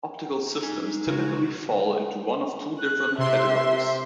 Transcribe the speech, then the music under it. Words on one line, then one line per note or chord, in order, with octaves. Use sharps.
Optical systems typically fall into one of two different categories.
D#4 G#5
C#3 G#3 F#4 C#5
F#6
C3 E5 C6